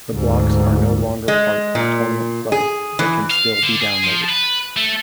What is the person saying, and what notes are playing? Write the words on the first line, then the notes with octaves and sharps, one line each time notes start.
The blocks are no longer part of tournament play, but can still be downloaded.
D2 G#2
G#3
A#2
G#4
E3
F5
D3
G#4
F3
B4
A3